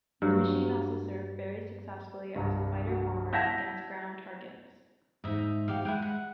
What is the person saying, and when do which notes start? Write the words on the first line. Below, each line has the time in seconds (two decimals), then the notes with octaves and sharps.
The machine also served very successfully as a fighter-bomber against ground targets.
0.22 G2 F#3
2.36 C2 G2 A#5
2.87 F#4
3.33 E4 F#5 A5 G6 G#6 A#6 B6 F7
5.24 G#2 D#4 D#5 E5
5.68 G#2 F#4 G4 F5
5.85 G#3 E4 F#5 G5
6.02 F#5